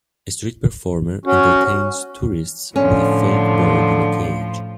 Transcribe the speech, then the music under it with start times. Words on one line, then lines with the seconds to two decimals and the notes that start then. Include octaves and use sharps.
A street performer entertains tourists with a fake bird in a cage.
1.25 C#4 F#4
2.76 A2 D3 F3 C#4